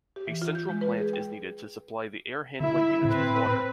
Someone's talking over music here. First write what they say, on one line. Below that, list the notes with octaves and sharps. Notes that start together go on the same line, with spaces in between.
A central plant is needed to supply the air-handling units with water.
G4
E3
F4
G6
G#3
B4
G#4
G5
D3 E4 E5
A2 C4 B4